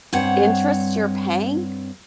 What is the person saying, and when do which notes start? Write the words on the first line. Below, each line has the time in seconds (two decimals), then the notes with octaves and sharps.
interest you're paying
0.13 G2 C4 C#5 F#5